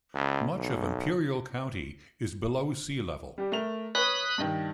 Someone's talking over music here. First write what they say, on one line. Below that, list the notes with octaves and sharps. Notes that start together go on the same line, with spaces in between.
Much of Imperial County is below sea level.
C#2
B1
G3 G4
A3 A#4 F7
B4 C#5 B5 D#6 F#6
G2 D#3